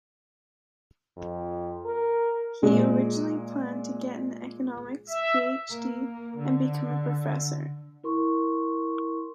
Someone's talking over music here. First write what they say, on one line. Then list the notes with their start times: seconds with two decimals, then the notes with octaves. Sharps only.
He originally planned to get an economics PhD and become a professor.
1.17 F2
1.85 A#4
2.63 A#2 G#3
5.09 E5
5.70 A#3
6.38 D3
8.04 E4 A#4 C6 C#6